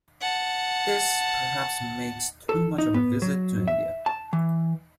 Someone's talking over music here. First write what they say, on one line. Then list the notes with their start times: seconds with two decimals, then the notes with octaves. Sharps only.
This perhaps makes too much of a visit to India.
0.21 F#5 A5
2.49 A4
2.78 D#4
2.94 B3
3.22 F#3
3.68 E5
4.06 A5
4.33 E3